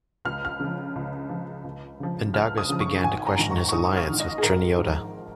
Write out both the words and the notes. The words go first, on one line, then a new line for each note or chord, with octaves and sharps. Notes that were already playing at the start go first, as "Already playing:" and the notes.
Mindaugas began to question his alliance with Treniota.
C#2 F6
F6
C#3 F3
C#2
C#3 F3
C#2
C#3 F3
C#2 F6
D#6
C#3 F3
C#6
G#1 G#5
A#5
G#2 D#3 A#5
C#6
C#6
G#1 D#6
F6
G#2 D#3
D#5
G#4
G#1 A#4
G#2 F3